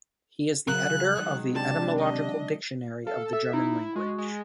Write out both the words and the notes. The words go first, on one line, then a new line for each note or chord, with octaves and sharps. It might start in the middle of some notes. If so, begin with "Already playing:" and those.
He is the editor of the "Etymological Dictionary of the German Language".
C#3 F#3 A#4 F#6
D#3 F#3 G#3
C3 D4 A5
D#5
A4 F5
A4 E5
D#4 E4
G#3 F#4
G#3